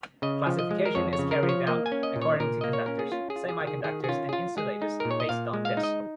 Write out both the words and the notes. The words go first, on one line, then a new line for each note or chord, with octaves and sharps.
Classification is carried out according to conductors, semi-conductors and insulators based on this.
C#3 D#5
F3
D#5
G#3
A#4
F2 C#5
C#5
C#3
A#4
F3
C#5
A#3 D#5
G#5
C#4
D#5
A#2
C#5
A#2 A#4
A#3 D#5
C#5
C#4 A#4
G#4
C#4 F4
G#4
F4
G#4
D#3
G#4
D#3 G#4
G#4
C#4 F4
G#4
F4
G#3 G#4
D#4
A#4
A#2
C#5
D#5
A#2 F5
G#3
F5
D#4
D#5